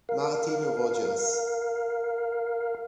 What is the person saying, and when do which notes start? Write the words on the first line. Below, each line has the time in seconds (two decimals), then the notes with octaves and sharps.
Martin Rogers.
0.09 A#4 F5